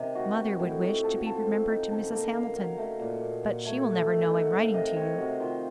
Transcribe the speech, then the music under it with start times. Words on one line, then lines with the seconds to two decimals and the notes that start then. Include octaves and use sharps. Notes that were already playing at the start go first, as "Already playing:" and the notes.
Mother would wish to be remembered to Mrs. Hamilton, but she will never know I am writing to you.
Already playing: C3 D#3 D#5
0.15 D#4 F#4
0.37 D#4
0.60 A2
0.81 D#4
1.03 F3 A4
1.14 F#4
1.26 F3 A4
1.47 F3
1.69 D#4
1.90 C#3 A4
2.12 A#3 A#4
2.34 A#3 F5
2.56 F#3 F5
2.78 A3 D#5
2.99 A#2
3.21 A#2
3.43 A#2
3.65 A3 C#5
3.87 A3
4.09 D#3
4.30 D#4
4.42 F#5
4.52 C3 F5
4.74 C3 D#5
4.96 C4 C#5
5.18 C3 F#4
5.40 D#3 F4